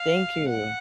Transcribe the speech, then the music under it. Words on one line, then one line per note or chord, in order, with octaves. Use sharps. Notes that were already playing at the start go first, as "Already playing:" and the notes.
Thank you.
Already playing: F5
F#5